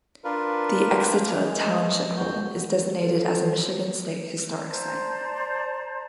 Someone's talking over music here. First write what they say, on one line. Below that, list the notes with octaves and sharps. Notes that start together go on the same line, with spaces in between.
The Exeter Township Hall is designated as a Michigan State Historic Site.
D4 F4 A#4 B4
E3 G#3
F2 F#4 G6
F4 A4 C5
C5 D5 A5 A#5